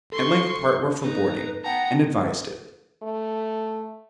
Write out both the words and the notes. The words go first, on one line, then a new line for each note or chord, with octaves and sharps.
At length part were for boarding, and advised it.
A4 C6 C#6
D#4 B4 A#5
B3 F#5 G5 A5 A#5
A3